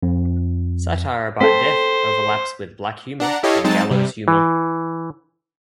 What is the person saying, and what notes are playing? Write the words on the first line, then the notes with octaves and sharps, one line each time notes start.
Satire about death overlaps with black humor and gallows humor.
F2
C4 A4 C5 B6
D4 F#5 A#5
E4 G4 A4 C#5 D#5 F5
F#3 G#3 C4 D#4 A5 A6
C3 G3
E3